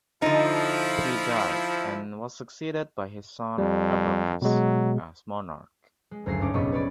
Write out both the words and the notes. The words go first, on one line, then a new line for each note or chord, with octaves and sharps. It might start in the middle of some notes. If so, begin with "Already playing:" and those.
He died and was succeeded by his son Ebraucus as monarch.
D3 F3 D#4 E4
F2 G3
B2 F#3 G#3
G#3
F#1 D2 G#5 A#6 C7
G2 C#4 D#4 D6
F1 A#1 B3 D#5 C#6 B6
B4 C#5 D5 B5